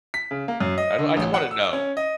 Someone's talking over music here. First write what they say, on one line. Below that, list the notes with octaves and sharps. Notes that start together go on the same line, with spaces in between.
I don't I don't wanna know.
B6
C#3
A#3
F#2
D#5
D3
A1
F#5
E6
C#4
D#5